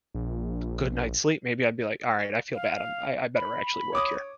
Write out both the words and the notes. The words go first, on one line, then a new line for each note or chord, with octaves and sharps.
good night's sleep, maybe I'd be, like, all right, I feel bad, I'm I I better actually work here.
A#1
F5
B5
C#5 D6 D#6